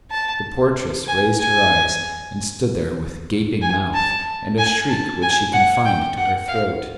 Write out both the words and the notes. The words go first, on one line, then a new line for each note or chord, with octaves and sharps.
The portress raised her eyes, and stood there with gaping mouth, and a shriek which she confined to her throat.
A5
G#5
G#5
G#5
A5
G#5
A5
G#5
F#5
G5
F#5
F5